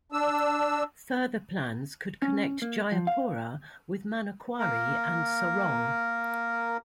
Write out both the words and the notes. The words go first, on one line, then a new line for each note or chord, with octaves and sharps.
Further plans could connect Jayapura with Manokwari and Sorong.
D4 E6
C#4
A#3
F3
F5
A#3 A#4